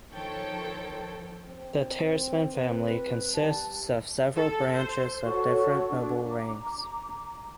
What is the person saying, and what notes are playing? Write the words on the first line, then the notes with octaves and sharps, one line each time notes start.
The Tersmeden family consists of several branches of different noble ranks.
D#3 F3 A4 C#5 G5
C4
B4
G3 A5
A4
C5
F#4 A4 C#5 C#6
D4
A#5 D6